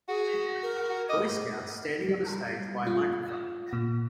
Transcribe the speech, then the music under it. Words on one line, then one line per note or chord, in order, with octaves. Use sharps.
Boy Scouts standing on a stage by a microphone.
F#4 G#4
A#4
F#4
D#5 D6
G3
F4
A#2